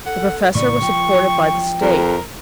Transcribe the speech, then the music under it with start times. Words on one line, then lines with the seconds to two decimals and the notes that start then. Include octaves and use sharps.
The professor was supported by the State.
0.06 A4 F#5
0.55 A2 C#3 E3 D5 C#6
0.82 F3 G5
1.81 F2 A#4